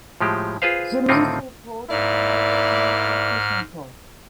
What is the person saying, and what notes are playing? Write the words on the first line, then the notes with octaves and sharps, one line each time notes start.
Shimizu Port is a major commercial fishing port.
A2 F3 G#3 G4
F4 G#4 B4 C5 F5
A2 D3 D#3 C4 D#4 F4
G#2 A#3 E4 D5 F6